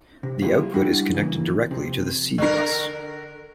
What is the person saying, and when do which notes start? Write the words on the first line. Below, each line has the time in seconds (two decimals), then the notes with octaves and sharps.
The output is connected directly to the C bus.
0.23 C3
0.42 F#3 A#3 E4 F4 G4 G#4
0.74 G3 D4 E4 F#4
1.14 C#3 E3 A#3
1.71 F2 C3
2.38 D3 A#4